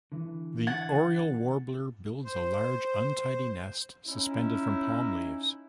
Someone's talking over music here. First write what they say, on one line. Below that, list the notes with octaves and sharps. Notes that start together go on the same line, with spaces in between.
The oriole warbler builds a large untidy nest suspended from palm leaves.
D3 E3
F#5 G#6 A6
C5
C#4 D#4 E4